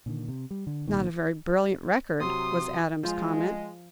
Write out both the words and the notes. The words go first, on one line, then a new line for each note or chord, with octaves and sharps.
"Not a very brilliant record," was Adams's comment.
A#2 D3 D#3
C3
G3
D3
C2 A#2 D#3
C3 F#3 C6 D#6
F3 G#3 F4